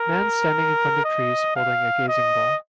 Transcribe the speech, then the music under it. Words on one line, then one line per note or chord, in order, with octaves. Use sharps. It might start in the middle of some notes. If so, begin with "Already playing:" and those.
Man standing in front of trees holding a gazing ball.
Already playing: A#4
D#5
F5
D#5